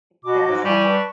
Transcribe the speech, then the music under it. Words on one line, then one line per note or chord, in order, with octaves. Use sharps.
It doesn't.
B2 F#4 D#5 D6
G#2
G3 G#5 C#6
B4 A5 C#6